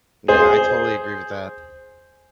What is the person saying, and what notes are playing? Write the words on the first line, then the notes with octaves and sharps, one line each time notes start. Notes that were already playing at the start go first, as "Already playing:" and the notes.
Yeah, I totally agree with that.
G#4 C5